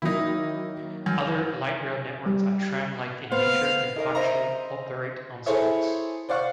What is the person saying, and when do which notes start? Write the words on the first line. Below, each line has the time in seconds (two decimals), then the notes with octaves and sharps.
Other light rail networks are tram-like in nature and partially operate on streets.
0.02 D#3 F#3 A#3 D#4 E4
1.06 F#2
2.26 G3
3.32 B3 C5 F5
3.96 D#4 A#4 D#5
4.15 C5 D#5 E5 A#5
5.46 E4 G#4 A4 C5 C#5 E5
6.29 C5 D5 F5 F#5 C#6